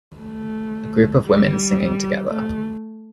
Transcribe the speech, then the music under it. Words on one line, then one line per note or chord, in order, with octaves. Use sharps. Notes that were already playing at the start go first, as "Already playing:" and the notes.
A group of women singing together.
A3
G3
A3